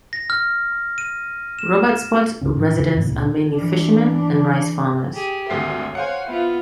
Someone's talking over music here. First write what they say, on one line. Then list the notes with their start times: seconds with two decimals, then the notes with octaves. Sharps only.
Robertsport residents are mainly fishermen and rice farmers.
0.13 A#6
0.30 F6
0.98 D#7
1.59 E7
2.42 C#2 C#3 C#4
2.57 A2 E3 D4
2.76 E2 C#3
2.97 F2 A2 C#3
3.09 C#2 A#2 A#3
3.55 E3 D4
5.15 G4 G#4
5.50 G#1 D2 E5 C7
5.95 C5 C#5 F5 F#5 G#5
6.28 B3 E4 F4